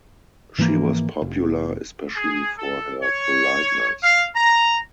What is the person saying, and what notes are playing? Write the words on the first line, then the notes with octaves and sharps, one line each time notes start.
She was popular, especially for her politeness.
G#2 E3 F3 A#3
F1
G#4
A4
C#5
F5
A#5